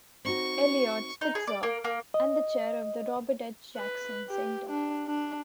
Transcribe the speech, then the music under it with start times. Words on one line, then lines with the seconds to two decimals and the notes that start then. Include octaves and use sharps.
Eliot Spitzer, and chair of the Robert H. Jackson Center.
0.25 C4 D#4 F#4 C#6
1.21 D#4
1.35 G#4
1.47 D5
1.63 A#3
1.84 A#3
2.14 D#5
3.77 B4
4.30 G4
4.70 D4
5.06 D4